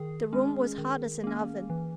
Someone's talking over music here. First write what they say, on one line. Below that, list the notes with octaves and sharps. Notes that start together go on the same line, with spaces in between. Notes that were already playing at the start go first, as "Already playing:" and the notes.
The room was hot as an oven.
Already playing: D#3 G#4
G#3 C#4
D#3
A#3 C#4
E3